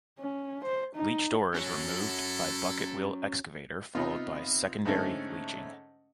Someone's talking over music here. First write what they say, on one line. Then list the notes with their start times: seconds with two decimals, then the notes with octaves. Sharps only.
Leached ore is removed by bucket wheel excavator followed by secondary leaching.
0.19 C#4
0.64 C5
0.95 D#4
1.54 G#3 C#4 E4 F#4 A4 C#5
3.95 C3 B3 D#4 F4
4.85 G#2 D3 A3 C4 C#4